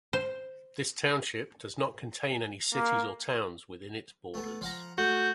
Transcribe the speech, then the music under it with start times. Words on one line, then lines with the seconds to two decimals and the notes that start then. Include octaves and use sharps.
This township does not contain any cities or towns within its borders.
0.13 C5
2.75 A#3
4.34 A3 B3
4.61 F3 F#5 A#5
4.98 A3 F#4 G6